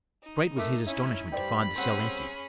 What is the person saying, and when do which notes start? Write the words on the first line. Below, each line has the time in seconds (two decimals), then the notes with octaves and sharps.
Great was his astonishment to find the cell empty!
0.22 D#4
0.57 A3 A#4 E5 D6
0.86 C#4 E4 E5
1.32 G2 C5 D5 G5 B5
1.76 G3 A#3 C4 C#4 G#4 C#5 F#5 C6